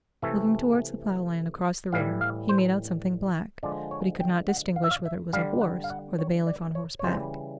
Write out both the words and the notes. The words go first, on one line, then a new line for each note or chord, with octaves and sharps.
Looking towards the plough land across the river, he made out something black, but he could not distinguish whether it was a horse or the bailiff on horseback.
C3 E3 A3 E5
A2 E3 G3 F5
F5
C5
D3 F3 G#3 D5
C#5
G5
F#5
F5
E5
F5
E5
D3 G3 F5
F#5
F5
F#5
C#5
D5
C#5
C#5
C#3 E3 G3 C5